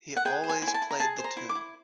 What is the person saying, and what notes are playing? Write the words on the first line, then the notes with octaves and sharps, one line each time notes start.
He always played the tune.
F#5
G#4 G5
C5
G#5
E4
G#5
A5
E4
A#5
G#4 A5
C5
A#5
E4
D6
E4